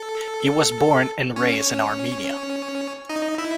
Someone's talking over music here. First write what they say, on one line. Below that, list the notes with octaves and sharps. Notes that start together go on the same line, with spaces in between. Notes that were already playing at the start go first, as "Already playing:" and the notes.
He was born and raised in Armenia.
Already playing: A4
C#4 C#5
D#4 D#5
E4 E5